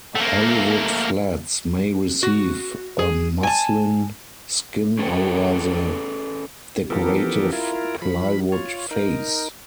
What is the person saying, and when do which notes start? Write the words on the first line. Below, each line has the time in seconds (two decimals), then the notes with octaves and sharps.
Hollywood flats may receive a muslin skin over the decorative plywood face.
0.15 A3 A#3
2.23 F#4
2.99 G#4
3.43 G#5 A5
4.99 C#4 G#4 A4 B4 C#5 G5
6.90 E3 F3 B3 G4 A4 A#4
7.52 E4 F4 A#4
8.02 F3 B5
8.52 F4 C#5
8.91 D#4 A#4